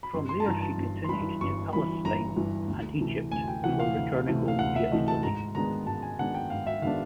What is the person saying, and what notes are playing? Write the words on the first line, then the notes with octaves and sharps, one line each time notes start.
From there she continued to Palestine and Egypt before returning home via Italy.
B5
G1 C6
C6
A5
G2 E3 A#5
A5
G1
C6
G2 E3 B5
G1 C#6
G2 E3 B5
G1 A#5
G2 E3
D2
C3 E3 A3
D2 G#5
G5
C3 E3 A3 F#5
F5
D2
C3 E3 A3
F5
D2 F#5
E5
C3 E3 A3 D#5
A5
G#2 A#5
D#3 G#3 B3 D4 A#5
G#2 A5
G#5
D#3 G#3 B3 D4 F#5
G5
G#2 F5
E5
D#3 G#3 B3 D4 F5